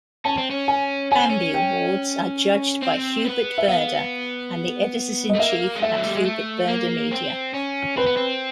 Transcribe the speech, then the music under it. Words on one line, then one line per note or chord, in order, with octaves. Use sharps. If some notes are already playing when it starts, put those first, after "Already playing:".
Bambi awards are judged by Hubert Burda and the editors-in-chief at Hubert Burda Media.
C#4 A5
C4
C#4
G#5
C#4 G#5
C4
C#4
G5
C4
B3
E5
B3 F5
D#5
A3
A#3 E5
G#3
A3 E5
F#3
G3
G#3
A3
A#3
C4
C#4
C4 B4
B3
C4